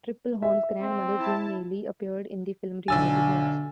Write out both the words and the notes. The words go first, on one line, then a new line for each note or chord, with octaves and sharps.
Tripplehorn's grandmother, Jean Neely, appeared in the film "Reality Bites".
E5
C4
E4 A5
B1 D3 G#5 E6 A6